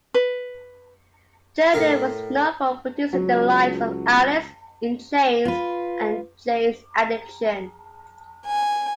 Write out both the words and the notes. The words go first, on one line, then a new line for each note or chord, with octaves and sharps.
Jerden was known for producing the likes of Alice in Chains and Jane's Addiction.
B4
A2 A#4
C#2 F#3
F4 B4
G#5